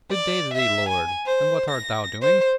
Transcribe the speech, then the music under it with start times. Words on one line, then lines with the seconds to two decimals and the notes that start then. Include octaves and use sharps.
'Good-day to thee, lord; and what art thou doing?'
0.11 D5
0.54 E5
0.89 G#5
1.26 C5
1.71 A#6
2.22 C5